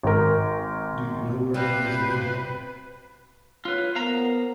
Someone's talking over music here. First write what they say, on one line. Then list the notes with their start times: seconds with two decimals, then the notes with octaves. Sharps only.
Do you know where he is now?
0.03 G#1 A#4
1.54 C3 G3 C4 B4 F5 F#6 G6
3.65 F4 B4 C#5
3.96 B3 A#4 C5 F5 A#5